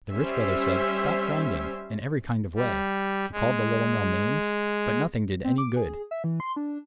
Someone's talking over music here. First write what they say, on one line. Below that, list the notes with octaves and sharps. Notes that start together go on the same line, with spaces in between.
The Rich Brother said, "Stop grinding," in every kind of way; he called the Little Mill names; but nothing did any good.
G3 C#4 C5 E5
G3
G#3
C4
D6
G#4
E5
E3
C6
D4